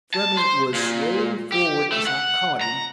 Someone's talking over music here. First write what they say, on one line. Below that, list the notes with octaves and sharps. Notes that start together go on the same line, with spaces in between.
Fleming was swaying forward as I caught him.
A5
C5
A#2
G4
A3
F#5
A#5